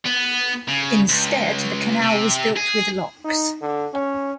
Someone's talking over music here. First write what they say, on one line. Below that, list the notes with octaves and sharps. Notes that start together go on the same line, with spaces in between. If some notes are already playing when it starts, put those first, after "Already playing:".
Instead the canal was built with locks.
B3
C#3
C#2
C3
G#4
D#4
D3
C#4